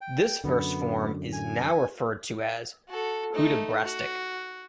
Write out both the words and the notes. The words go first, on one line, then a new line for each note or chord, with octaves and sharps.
This verse form is now referred to as "Hudibrastic".
G5
F#2 D3 B3
G#5
F#4 A4
A3 D#4
F#4